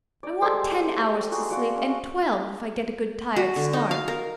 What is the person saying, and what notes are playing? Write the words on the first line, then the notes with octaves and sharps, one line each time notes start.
I want ten hours to sleep and twelve if I get a good tired start.
D5
G3 G#3 A4 C5
D6
D#4 F#4 G#4
F#4 D5 F5 F#5
C#4
F#4
D3
D#4
F5
A#4